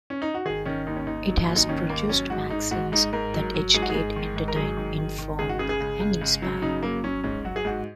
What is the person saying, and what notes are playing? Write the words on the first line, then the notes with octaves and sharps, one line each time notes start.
It has produced magazines that educate, entertain, inform and inspire.
C#4
D#4
F#4
D#3 G#4
D#3 C#4
D#2 D#4
C#4
D#2 D#4
F#3
D#2
D#4
D#3 C#4
D#2 A#3
F#3 C#4
G#2 F#4
G#2 D#4
G#2 F#4
G#2 D#4
G#2 A#4
F#3
F#3
G#2 G#4
F#4
G#4
G#2
D#3
G#2
A#4
F#3 G#4
D#3
D#3
D#3
C#2 G#4
F#4
C#3 G#4
G#4
C#2
C#2
C#2
F#3
C#3 D#4
F#3 A#3
F#3 C#4
G#2 C#4
F#3 F#4
G#4
G#2 F#4